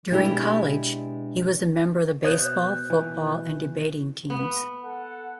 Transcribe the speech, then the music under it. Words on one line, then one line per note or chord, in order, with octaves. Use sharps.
During college, he was a member of the baseball, football, and debating teams.
B2 G#3 D4 E4 G4 G#4
B2 C5 D#6 F#6 G6
B2 E3 E4
B3
A4 F#5